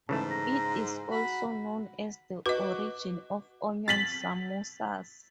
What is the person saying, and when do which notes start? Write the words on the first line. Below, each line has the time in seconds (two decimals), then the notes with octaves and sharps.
It is also known as the origin of onion samosas.
0.09 G#2 C#3 E3 A3 A5
0.30 A#5
1.10 F#4 B5
2.46 F#4 B4 D#5 D6
3.88 A6 B6 F#7